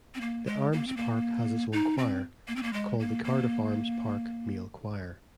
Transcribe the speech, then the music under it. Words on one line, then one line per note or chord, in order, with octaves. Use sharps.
The Arms Park has its own choir, called the Cardiff Arms Park Male Choir.
C4
A#3
G#3
A#3
C4
A#3
D#4
C4
A#3
C4
A#3
G#3
A#3
A#3